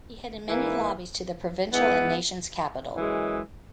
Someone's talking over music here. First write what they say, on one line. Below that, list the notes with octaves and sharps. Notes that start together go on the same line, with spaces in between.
He headed many lobbies to the provincial and nation's capital.
G#2 E3 A#3 E4
G#2 E3 B3
F#2 E3 G#3